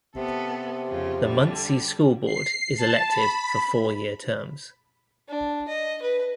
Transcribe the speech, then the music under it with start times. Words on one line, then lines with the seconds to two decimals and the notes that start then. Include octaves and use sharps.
The Muncy School Board is elected for four year terms.
0.16 C3 B3 A4
0.89 F2 C#3 F4
1.22 D3 G3
2.25 C7
2.77 A5
3.07 B5
5.28 D4
5.68 D#5
6.02 B4